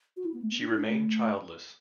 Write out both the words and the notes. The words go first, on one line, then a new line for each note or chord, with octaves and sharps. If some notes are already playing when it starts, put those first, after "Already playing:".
She remained childless.
F#4
E4
B3
A3
B3
D4
E4
D4
A3